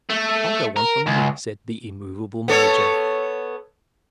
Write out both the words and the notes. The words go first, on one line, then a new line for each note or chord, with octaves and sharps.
"I'll go on for money," said the immovable major.
A3
A#4
C#2
B3 A4 C#5